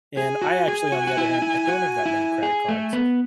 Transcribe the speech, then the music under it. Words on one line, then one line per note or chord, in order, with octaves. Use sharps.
And I actually, on the other hand, I don't have that many credit cards.
G#4 G#5
F#4
G#4
F#4
F#4
E4
E4
F#4
E4
G#4
A3
B3